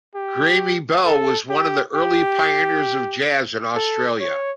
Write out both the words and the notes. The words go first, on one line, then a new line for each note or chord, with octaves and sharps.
Graeme Bell was one of the early pioneers of jazz in Australia.
G4
A4
G4
G4
A4
C#5